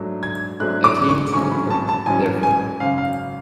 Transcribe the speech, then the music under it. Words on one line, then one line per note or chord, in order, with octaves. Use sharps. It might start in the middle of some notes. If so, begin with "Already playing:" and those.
I came to the point, therefore.
Already playing: G#2 F#3 A3 D4
G#6
G#2 F#3 A3 D4 F#6
D6
C#6
A1 G#2 F#3 C#4 C#6
B5
A5
A5
A1 G#2 F#3 C#4 G#5
G#5
G#1 F#2 C#3 F5
F5